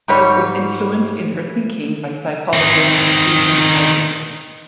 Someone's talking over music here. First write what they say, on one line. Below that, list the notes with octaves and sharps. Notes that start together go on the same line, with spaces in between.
Berg was influenced in her thinking by psychologist Susan Isaacs.
G#2 G3 C#5
D#3 C4